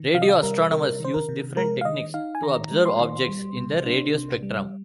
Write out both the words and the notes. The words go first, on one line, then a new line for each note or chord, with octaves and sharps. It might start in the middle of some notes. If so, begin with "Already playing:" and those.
Radio astronomers use different techniques to observe objects in the radio spectrum.
Already playing: D#3
C3 F5
D#5
F5
G3 A#4
C3 A#4
D#3 C5
A#4
C3
G#3 A#4
F5
D#3 D#5
D#4 F5
G#5
D#3 A#5
G#3
C6
D#3
G3
C3
D4
C3
G3